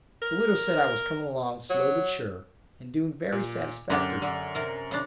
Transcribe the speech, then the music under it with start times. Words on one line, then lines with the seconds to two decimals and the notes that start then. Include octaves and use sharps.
The widow said I was coming along slow but sure, and doing very satisfactory.
0.22 A#4
1.70 F#3
3.32 A#2
3.90 F#2 D3 D4 G4
4.22 D3
4.55 C3 A#4
4.91 C#3 D4